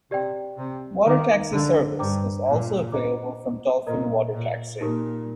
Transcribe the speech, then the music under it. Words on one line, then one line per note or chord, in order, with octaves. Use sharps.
Water taxi service is also available from Dolphin Water Taxi.
C3 G4 D5 G5
C3
D#3 A#4 F5 A#5 D6
D3
G2 C5 G5 A#5 D6
A#2
F4 C5 D#5 A#5 D6
A#2 A#4 D#5 A#5
A#2
A#2 D#4 G4 A#4